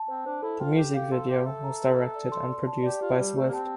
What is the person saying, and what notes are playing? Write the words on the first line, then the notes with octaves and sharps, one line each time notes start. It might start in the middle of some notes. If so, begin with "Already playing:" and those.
The music video was directed and produced by Swift.
Already playing: A5
C4 C5
D4 C5
E4 A4
F4 G5
G4 A4
G4 F5
A4 C6
G4 F5
A4 E5
A#5
E5
E5
D5
C6
D5
A5
G4 D5
F4 G4
G3 G4
A3 G4
A#3
C4 A5